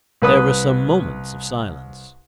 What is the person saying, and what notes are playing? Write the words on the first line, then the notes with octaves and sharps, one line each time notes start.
There were some moments of silence.
C2 B4 D#6